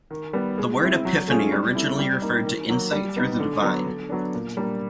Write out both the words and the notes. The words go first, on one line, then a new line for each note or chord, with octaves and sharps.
The word epiphany originally referred to insight through the divine.
D#3
G3 B3
G#3
C4 E4
F#3
A3 C#4 F4 G#4
G3
C4 E4 A4
G3
A#3 D#4
D#3
F#3 A#3
G3
B3 D#4
D3
F#3 B3
D3
F#3 B3 D4
A#2
G3 A#3 D4